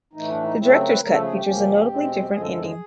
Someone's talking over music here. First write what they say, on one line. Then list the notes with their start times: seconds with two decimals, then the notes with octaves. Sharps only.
The director's cut features a notably different ending.
0.13 A2 E3 A3 D#4
0.28 D4
0.43 D#4
0.57 C#3 F#3 A3 C4 E4
0.67 A4
0.78 A#4
0.89 B4
0.99 C#3 F3 A3 A#4
1.10 A4
1.22 G#4
1.33 G4
1.43 F#2 C#3 F3 A#3 C#4
1.86 E2 B2 G#3 C4
2.29 F#2 D3 F3 G#3 G#4
2.41 A4
2.51 A4
2.63 G#4